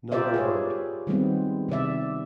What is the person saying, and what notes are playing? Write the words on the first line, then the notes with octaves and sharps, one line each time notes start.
Not a word.
F4 G4 A#4 C5 D5 E5
G#4 B4 C#5
D#3 G3 G#3 B3 C4
C3 D#3 D5 E5